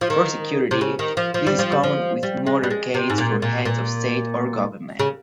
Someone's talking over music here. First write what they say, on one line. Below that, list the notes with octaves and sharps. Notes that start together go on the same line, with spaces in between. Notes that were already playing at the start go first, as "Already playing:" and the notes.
For security, this is common with motorcades for heads of state or government.
F3
D#3
C3
C#3
D#3
F3
F3
G3
F3
G3
F3
G3
G#3
G3
G#3
C3
G#2
A#2
A#2
A#2
C#3